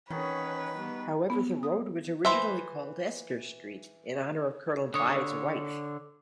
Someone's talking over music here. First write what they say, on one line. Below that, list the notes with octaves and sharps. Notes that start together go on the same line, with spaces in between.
However, the road was originally called Esther Street in honour of Colonel By's wife.
D#3 E3 C#4 F#4 G#4 B4 C#5
G3 B3
B3
D#6
E3 C5 E5
D3 C#5 D#6